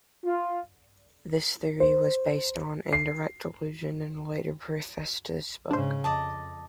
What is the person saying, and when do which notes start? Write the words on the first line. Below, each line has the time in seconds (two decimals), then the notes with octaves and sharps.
This theory was based on indirect allusion in a later preface to this book.
0.25 F4
1.80 C5
2.93 C7
5.71 G#2 C#3 D4 C5
6.04 F2 D5 D#5 A5